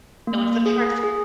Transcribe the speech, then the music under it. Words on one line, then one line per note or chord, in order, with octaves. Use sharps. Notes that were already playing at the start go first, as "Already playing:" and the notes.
It was the first.
A#3
G#4
G#4